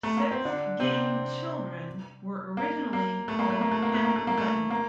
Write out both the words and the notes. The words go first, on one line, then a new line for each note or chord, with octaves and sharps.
Sex Gang Children were originally called Panic Button.
A3
A#3
C4
D3 D4
C3 C4
A#3
A#3
A3
A#3
A3
A#3
A3
A#3
A3
A#3
A3
A#3
A3
A#3